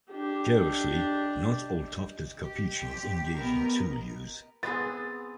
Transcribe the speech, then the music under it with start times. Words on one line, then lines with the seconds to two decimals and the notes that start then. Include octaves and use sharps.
Curiously, not all tufted capuchins engage in tool use.
0.11 D4 G4
2.42 G4
2.79 G5
3.36 B3 A#4
4.63 B3 C4 G#4 A6